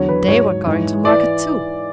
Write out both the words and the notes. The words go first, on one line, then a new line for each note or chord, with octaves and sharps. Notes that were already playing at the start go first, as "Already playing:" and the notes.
And they were going to market too.
Already playing: E2 D3 F#3 C#5
B4
G#2 F#3 C#5
G#2 E3
E3 D5